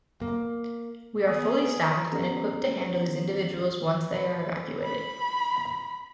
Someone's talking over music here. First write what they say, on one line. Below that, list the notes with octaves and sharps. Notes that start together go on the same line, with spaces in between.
We are fully staffed and equipped to handle these individuals once they are evacuated.
A#3
B3 G#4
B3 C#4 G4 A4 A#5
B4
B5